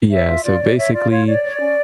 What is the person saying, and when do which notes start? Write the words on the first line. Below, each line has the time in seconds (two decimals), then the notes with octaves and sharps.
Yeah, so, basically,
0.11 C#5 E5
0.27 F4
0.44 F4 D5
0.61 C#5
0.77 C#5 E5
0.93 F4 D5
1.09 F4 C#5
1.26 C#5 D5
1.43 C#5
1.59 C#4